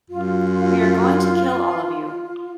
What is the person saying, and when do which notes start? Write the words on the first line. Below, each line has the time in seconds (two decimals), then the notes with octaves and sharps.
We are going to kill all of you.
0.10 F#2 F4